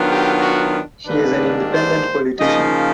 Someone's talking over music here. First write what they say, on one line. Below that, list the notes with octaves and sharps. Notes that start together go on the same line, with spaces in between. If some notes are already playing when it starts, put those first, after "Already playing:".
She is an Independent politician.
Already playing: D#3 F#3 B3 D4 F4
G4
F#4
G#2 D#3 G3 A#3 D4 B4
C5
C#3 F3 A#3 D#4 D#5